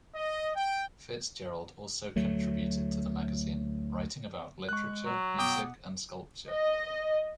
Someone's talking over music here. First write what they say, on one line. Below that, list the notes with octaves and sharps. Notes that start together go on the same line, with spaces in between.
Fitzgerald also contributed to the magazine, writing about literature, music, and sculpture.
D#5
G5
D2 F#3 A3
G#3 C#6 F#6
F#3
B2 B3 G5 D6 D#6
D#5